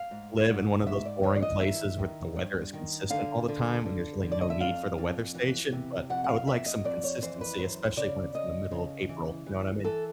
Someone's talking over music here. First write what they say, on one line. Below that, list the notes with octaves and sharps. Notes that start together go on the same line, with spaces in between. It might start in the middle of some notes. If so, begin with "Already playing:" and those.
live in one of those boring places where the weather is consistent all the time and there's really no need for the weather station, but I would like some consistency, especially when it's in the middle of April, you know what I mean?
Already playing: F5
G#2
G#2
G#2 E5
D5
E3 C#5
D5
D#5
D#3 E5
D#3
G2
D#3
D3 F5
D3
D3
D3
D5
D#5
E5
F2 F5
F2
E3
C3
F2 F#5
F#5
F5
F2 E5
D#5
F2 D5
C#5
E3 C5
B4
F#2 C5
C#3 D5
C#3 D#5
C#3
E3
E3
E3 A4